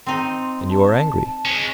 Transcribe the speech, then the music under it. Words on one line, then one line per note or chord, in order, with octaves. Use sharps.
And you are angry!
C4 D#4 C6
A5
G#3 C#4